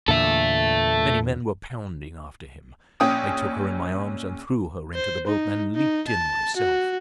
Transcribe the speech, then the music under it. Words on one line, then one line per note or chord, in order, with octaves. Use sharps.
Many men were bounding after him, I took her in my arms and threw her into the boat, then leaped in myself.
E2 A#2 D3 A4 E5
A#1 C#4 G5 D#6
C5
D#4
D#4
A5
F#4